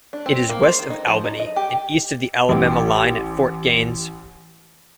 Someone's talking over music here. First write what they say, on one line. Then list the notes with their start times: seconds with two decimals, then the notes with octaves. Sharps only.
It is west of Albany and east of the Alabama line at Fort Gaines.
0.13 D4
0.26 C4
0.49 A#3
0.63 C5
0.79 D#3
0.90 D#4
1.07 F3
1.24 D#4
1.40 D#5
1.56 G4
2.49 A1 G4